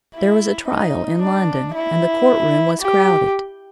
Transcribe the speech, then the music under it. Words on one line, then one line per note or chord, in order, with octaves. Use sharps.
There was a trial in London, and the court-room was crowded.
E4
D#4
D4
E4
G4